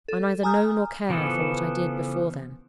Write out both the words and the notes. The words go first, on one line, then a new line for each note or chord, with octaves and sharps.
I neither know nor care for what I did before then.
A4
G#5 A#5 D#6 F6 G6
C#3 E3 F3 B3 A4